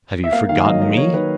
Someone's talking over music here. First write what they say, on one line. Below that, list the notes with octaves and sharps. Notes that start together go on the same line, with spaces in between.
Have you forgotten me?
E5
A#3 F5
D#3 F5
F#3 D#5
D#3 D#5
D#3 C#5
D#3 B4